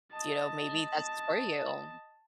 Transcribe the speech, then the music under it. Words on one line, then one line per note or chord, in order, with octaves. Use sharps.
you know, maybe that's for you.
D#5 A5